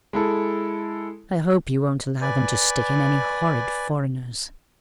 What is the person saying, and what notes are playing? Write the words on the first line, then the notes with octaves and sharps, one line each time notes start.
'I hope you won't allow them to stick in any horrid foreigners!
G#3 E4 A4
B4 D5 G#5